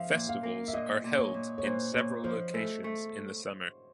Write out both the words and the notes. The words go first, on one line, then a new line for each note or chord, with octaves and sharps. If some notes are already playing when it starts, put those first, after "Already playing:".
Festivals are held in several locations in the summer.
Already playing: F3 E5 F5
A#2
F5
A#3
E5
A#2 D#5
A#2
C#5
A#2
C#5
A#2 C5
A#2 C#5
F3 C5
A3
A3